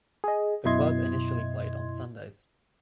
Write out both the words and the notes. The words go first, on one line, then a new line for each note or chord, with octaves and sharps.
The club initially played on Sundays.
G#4 D#5
F#2 B2 E4 D#5 C6 G#6